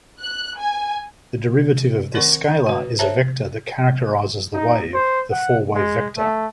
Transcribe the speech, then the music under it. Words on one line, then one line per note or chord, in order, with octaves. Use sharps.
The derivative of this scalar is a vector that characterizes the wave, the four-wavevector.
F#6
G#5
D#3 C4 A#4 D5 F#5 C#6
D3
F#4 B4
A4 C5 C#5 E5 A5 A#5
D#4
C5
F#5
G#3
A3